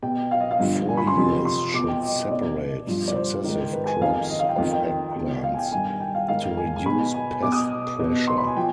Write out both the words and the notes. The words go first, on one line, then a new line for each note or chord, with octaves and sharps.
Four years should separate successive crops of eggplants to reduce pest pressure.
B2 G5
F5
D#5
F5
G2 D3 F3
G#5
B5
C6
F2 C3 F3
C6
B2 D6
G5
D#5
D#5
B2 D5
G2 F3
D5
C5
G#2 D#3
B4
G#5
F2 D#3 F5
D#5
F5
G5
F2 D#3
G5
B2
F5
G#5
G5
G2 D#3 G#5
G5
F5
G#2 D#3 F5
G#5
G#5
B2 B5
G#5
B2 D6
D#6
B2
C6
B5
G#5
F3 G5